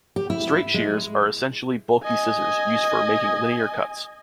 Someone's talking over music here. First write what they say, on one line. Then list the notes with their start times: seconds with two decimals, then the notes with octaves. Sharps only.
Straight shears are essentially bulky scissors, used for making linear cuts.
0.16 G4
0.30 E4
0.74 G#3
2.03 D#5 G#5